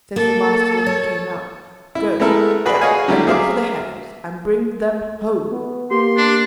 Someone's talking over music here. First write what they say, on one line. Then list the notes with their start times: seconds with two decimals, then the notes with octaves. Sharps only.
Says the master when he came out, "Go, Jack, and look for the heifers, and bring them home."
0.16 A#3 A4
0.86 C#5
1.95 E4
2.20 G#3 A3 B3 E4 A4 A#4
2.65 F#4 G#4 B4 D5 B5
2.81 F#4 G#4 C#5 D#5 F5 G#5
3.08 D3 F#3 G3 A3 E4 G4
3.27 F#3 G#4 E5 F5 D6
5.51 B3
5.91 A#3 G4 C6
6.17 D4